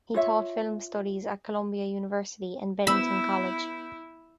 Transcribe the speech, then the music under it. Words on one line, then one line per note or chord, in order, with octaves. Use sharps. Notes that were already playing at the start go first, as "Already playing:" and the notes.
He taught film studies at Columbia University and Bennington College.
F4 C#5 E5
B3 E4 B5 E6 G6 E7